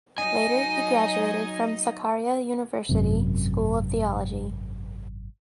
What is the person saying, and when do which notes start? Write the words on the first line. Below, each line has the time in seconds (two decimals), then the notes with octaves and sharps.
Later he graduated from Sakarya University School of Theology.
0.18 F#3 D#4 D#5 G#5
2.89 G#1 F#2 C3